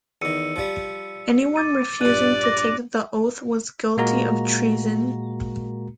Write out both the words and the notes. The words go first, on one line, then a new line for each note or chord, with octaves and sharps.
Anyone refusing to take the oath was guilty of treason.
E2 D#3 E6 C#7 D#7
F3 G3
D6 A6 D#7
A#1 G2 D5 F#6 A6 D#7
D6 A#6
A#2 G#3 A#3 F#4 A#4 A#5